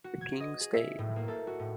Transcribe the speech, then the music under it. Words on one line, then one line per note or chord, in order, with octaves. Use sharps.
The King stayed.
F#4
G#6
D#5
G#4
E5
A2
A#3
A4
F#4
A2